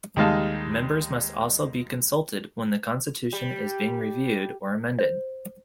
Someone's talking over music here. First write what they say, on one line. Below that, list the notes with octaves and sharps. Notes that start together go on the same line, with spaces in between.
Members must also be consulted when the constitution is being reviewed or amended.
D#2 G3 G#3 D#4 F5 A5
G3
C5